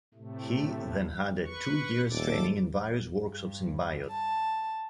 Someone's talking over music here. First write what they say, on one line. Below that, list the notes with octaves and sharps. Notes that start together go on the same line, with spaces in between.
He then had a two-years training in various workshops in Biot.
A2 C3 A3
B4 C#6
D#1 A4 D6 A6
G2
A5